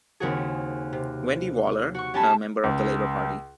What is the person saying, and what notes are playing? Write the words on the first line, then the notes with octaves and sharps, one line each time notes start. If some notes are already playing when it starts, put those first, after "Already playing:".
Wendy Waller, a member of the Labor Party.
D#2 C#3 C4 F#4 G#4
C3
F#4 C#6
C#4 G4 G#5 A5 B5
C#2